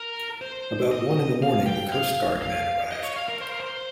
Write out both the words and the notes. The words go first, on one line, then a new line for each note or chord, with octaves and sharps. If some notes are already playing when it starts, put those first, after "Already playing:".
About one in the morning the coastguard man arrived.
Already playing: A#4
C5
D#5
F5
G5
F5
F5
D#5
C#5
F5
A#4
C5
A#4
C5